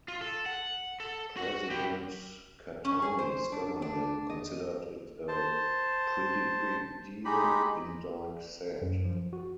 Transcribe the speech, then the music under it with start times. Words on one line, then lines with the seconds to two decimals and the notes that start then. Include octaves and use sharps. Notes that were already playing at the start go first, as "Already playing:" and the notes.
President Khatami's government "considered it a pretty big deal," Indyk said.
0.08 F4
0.21 A4
0.46 F#5
1.00 A4
1.37 F#4 F#5
1.70 E4 G4
2.85 C#4
3.02 G#4
3.19 C5
3.52 D4
3.82 D4
4.30 D#5
5.28 C5 A5
7.25 G#3 D#4 G4 B5
8.82 F#2
9.05 F3
9.33 F#4